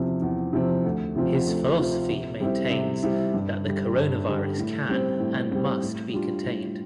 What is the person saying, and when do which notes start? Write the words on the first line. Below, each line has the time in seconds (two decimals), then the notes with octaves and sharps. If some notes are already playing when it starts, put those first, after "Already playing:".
His philosophy maintains that the coronavirus can and must be contained.
Already playing: E2 C3 F3 C4
0.22 E2
0.53 C3 F3 C4
0.84 D2
1.16 C3 F3 C4 F4
1.47 D2
1.79 C3 F3 C4 F4
2.09 C3
2.40 G3 C4 E4
2.71 C3
3.03 G3 C4 E4
3.34 G2
3.64 D3 G3
3.96 G2
4.27 D3 G3
4.58 A2
4.88 G3 C4
5.20 A2
5.52 G3 C4
5.82 A2
6.13 G3 D4 F4
6.45 A2